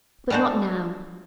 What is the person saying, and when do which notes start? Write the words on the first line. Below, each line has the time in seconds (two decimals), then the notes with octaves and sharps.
But not now.
0.30 G3 G#3 D4 F#4 C5